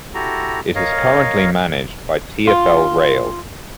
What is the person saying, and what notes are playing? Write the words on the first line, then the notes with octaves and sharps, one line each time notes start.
It is currently managed by TfL Rail.
E4 F#4 G4 A4 A#5
A#4 C#5 D#5 F5
F4